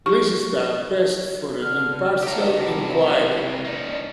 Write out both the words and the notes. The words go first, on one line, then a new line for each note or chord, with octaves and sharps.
Leicester pressed for an impartial inquiry.
G4 C#6
D3 F6
A3 G4 F#5 A#5
C3 F#3 G3 A5
E2 A#3 E4
C#4 D#4 D5